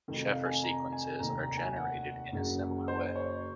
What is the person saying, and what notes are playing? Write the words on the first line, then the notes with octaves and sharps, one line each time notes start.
Sheffer sequences are generated in a similar way.
F1 F2 C3 D#3
F5
G#5
A#5
G#5
F1 D#2 D#3 A#5
A#5
G#5
F#5
F#1 F#2 C#3
C5
C#5